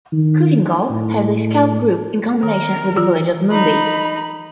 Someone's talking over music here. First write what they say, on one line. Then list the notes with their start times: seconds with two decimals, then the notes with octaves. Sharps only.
Kootingal has a Scout group in combination with the village of Moonbi.
0.13 D#3
0.90 A2
2.43 D#3 A#4
2.97 E3 F4
3.51 D#4 B5